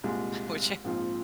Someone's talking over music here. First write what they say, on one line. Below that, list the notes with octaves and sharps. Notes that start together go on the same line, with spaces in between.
Would you?
C2 A#2 G#3
A#1 G#2 F3 C4 F4